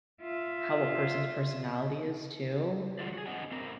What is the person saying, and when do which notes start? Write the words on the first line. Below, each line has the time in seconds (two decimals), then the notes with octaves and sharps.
how a person's personality is too.
0.22 F4 E5
2.99 D#3 G#3 F4 F#4 G#4 D5
3.14 F#4 G#4
3.26 E2 D3 C4 D#5 F#5 G#5
3.51 A3 C4 A#4